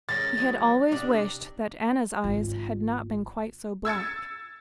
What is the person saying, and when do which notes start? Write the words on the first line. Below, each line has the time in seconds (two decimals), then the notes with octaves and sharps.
He had always wished that Anna's eyes had not been quite so black.
0.09 D#3 G#3 C#4 A6 A#6
0.37 E3 F#3 G#3
0.91 C3 D4 D#4
2.24 G#1 F4
3.85 E6 G#6 A6 C#7